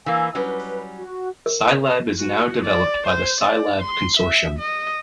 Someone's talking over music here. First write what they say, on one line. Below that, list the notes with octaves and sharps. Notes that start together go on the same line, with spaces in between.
Scilab is now developed by the Scilab Consortium.
E3 A#3 G#5 E6
F#3 G3 C#4 B4
F#4
A#4
F#4
D5
C5
D5
C6
E5
D#5